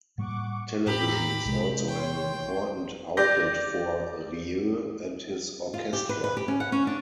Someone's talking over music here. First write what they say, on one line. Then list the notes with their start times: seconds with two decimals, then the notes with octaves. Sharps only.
Television is also an important outlet for Rieu and his orchestra.
0.18 A2 G3 A#3 F#5 C#6 D6
0.86 A2 G4 A#5 B5
1.45 B1 C3 G#3
1.88 C#5 G5 C6
3.17 G4 D5 G6 A#6
5.74 F4
5.93 G4
6.09 B4
6.24 B4
6.37 G4
6.48 C#4
6.60 F#5
6.72 C#4
6.87 D4